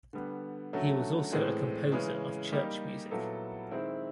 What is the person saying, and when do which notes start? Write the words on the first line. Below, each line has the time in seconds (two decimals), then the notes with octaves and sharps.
He was also a composer of church music.
0.13 D3 G3 B3
0.73 D3 F#3 A3 C#4 F#4
1.32 A2 E3 G#3 C4
1.92 C#3 E3 G#3 C#4
2.52 G3 A#3 D#4 G4
3.11 A#2 F#3 B3 E4 A4
3.71 D#3 G#3 C4 E4